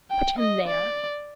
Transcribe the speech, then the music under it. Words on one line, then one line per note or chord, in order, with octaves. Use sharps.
"Put him there."
G5
D#5
D5